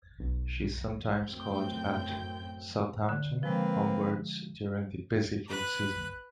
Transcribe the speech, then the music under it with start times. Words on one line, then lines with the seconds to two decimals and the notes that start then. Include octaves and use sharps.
She sometimes called at Southampton homewards during the busy fruit season.
0.20 B1
1.28 F#2 A2 C4 G5 G6
3.09 D3
3.43 F3 G#3 A#3 C4 B4
5.49 B4 F#6